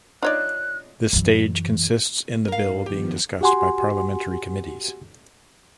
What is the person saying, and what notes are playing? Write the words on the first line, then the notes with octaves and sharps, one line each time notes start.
This stage consists in the bill being discussed by parliamentary committees.
D4 D#4 F4 C#5 D5 F#6
F#2 E3
G#2 A#4 F5
D#3 F3 B3 G4
F#4 G4 F#5 G#5 C6